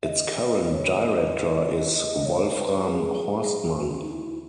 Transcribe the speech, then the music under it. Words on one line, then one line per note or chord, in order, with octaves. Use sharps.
Its current director is Wolfram Horstmann.
E5
D#5
D#5
C#5
D#5
D#5
C#5
B4
G#4
F#4
C#4
D#4
E4